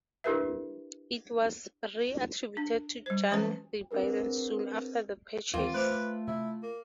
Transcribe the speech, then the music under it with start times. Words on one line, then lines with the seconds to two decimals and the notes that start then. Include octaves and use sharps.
It was reattributed to Jan de Baen soon after the purchase.
0.24 D4 E4 G4 A#4 B4 E5
2.57 D4
3.06 G3 C5
3.31 E3 G#3 C#4 B4 A5
3.91 C4 D4 G#4 A#4 B4
5.54 D#2 E3 A#3 C4 F4
5.74 A3 B4 C5 D6 F6
6.28 C3 E4
6.63 A#3